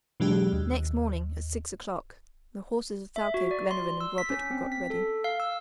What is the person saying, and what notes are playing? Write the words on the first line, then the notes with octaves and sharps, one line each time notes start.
Next morning, at six o'clock, the horses of Thalcave, Glenarvan and Robert were got ready.
B2 E3 F#3 G#3 D4 G4
D#2
E5
F#4
D5
C6
E6
B6
C#4
C4
B6
A4
F5
E6